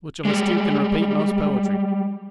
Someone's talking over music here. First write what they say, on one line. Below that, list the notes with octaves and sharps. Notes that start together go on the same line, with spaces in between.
Which of us two can repeat most poetry?
G3 G#3